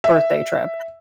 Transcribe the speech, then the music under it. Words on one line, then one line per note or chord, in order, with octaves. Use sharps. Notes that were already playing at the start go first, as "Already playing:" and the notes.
birthday trip
E5